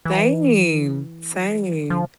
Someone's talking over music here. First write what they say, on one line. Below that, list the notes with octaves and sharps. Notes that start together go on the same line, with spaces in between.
Same, same.
E3
F3